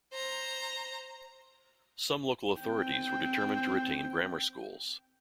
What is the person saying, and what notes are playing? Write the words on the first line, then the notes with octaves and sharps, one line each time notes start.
Some local authorities were determined to retain grammar schools.
C5 A#5
C4 G5